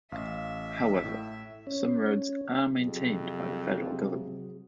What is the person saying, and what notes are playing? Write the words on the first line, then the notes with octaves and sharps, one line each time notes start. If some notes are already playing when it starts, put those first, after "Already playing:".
However, some roads are maintained by the federal government.
A1 E5 F5
A2
C#4
F2 C3 F#3 G#4